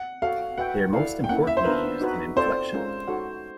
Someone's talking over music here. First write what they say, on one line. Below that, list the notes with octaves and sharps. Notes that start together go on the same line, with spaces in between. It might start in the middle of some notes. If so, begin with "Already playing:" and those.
They are most importantly used in inflection.
Already playing: F#5
F#4 A4 C#5 F5
F#4 B4 E5 F#5 G5
E4 A4 D5 F5
G5
A#3 C#4 E4 F#5
E5
C5
B3 D4 F4 A#4 B4
D#4 F#4 B4
C4 F4 A4 C5 D5
G#3 C#4 F4 A#4
D#4 F#4 A4 C#5 F#5